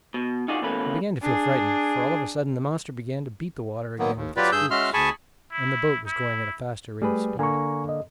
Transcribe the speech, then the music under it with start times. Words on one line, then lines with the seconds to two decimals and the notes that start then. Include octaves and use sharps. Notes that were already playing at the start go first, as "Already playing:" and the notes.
I began to feel frightened, for all of a sudden the monster began to beat the water again with its flukes, and the boat was going at a faster rate of speed.
0.14 B2
0.48 D#4 F4 F#4 G#4 D5
0.62 B2 E3 A3 A#3 C#4 B4
1.22 D4 G#4
3.99 D#3 F#3 A#3 B3
4.16 D#2
4.37 F#3 F4 G4 B4 D5
4.52 G2 G#4 E6 G6
4.70 G#3 C#4 F#4 E5 C6 F6
4.94 D2 G#4 G#5 A5 B5 C#6
5.52 E4
6.07 E4
7.02 G3 A3 G#4 B4
7.39 D3 A#3 G#5 A#5 C#6
7.89 D#5